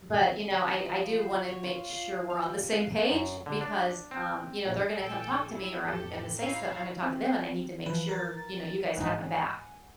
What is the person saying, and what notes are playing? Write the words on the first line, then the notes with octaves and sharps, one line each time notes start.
But, you know, I I do wanna make sure we're on the same page because, um, you know, they're gonna come talk to me or I'm gonna say so I'm gonna talk to them and I need to make sure, you know, you guys have my back."
B5
D#4
F3
C5
F#4
C#5
F4
F5
F5
G3
F5
F#2
D3
D4
C4
A#1
A#1 A4 G5 G#5
G3 D4 E4
F2 A2 G4 A4
D#4 E4 C#5 E5 F5 A#5
C4
E3 F3 B4
A#4 A6
A1 G#2 D#4 F#5 G#5